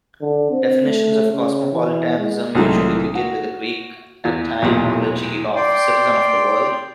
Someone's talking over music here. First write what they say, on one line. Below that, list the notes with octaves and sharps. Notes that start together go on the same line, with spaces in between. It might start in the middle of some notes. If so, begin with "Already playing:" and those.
Definitions of cosmopolitanism usually begin with the Greek etymology of "citizen of the world".
D3
C4
A3
C#3
E3
G#3
C2 A2 D3 D#3 F#3 G#3
F#4
E2
B1 E2 A#2 G4
D5 G5 C6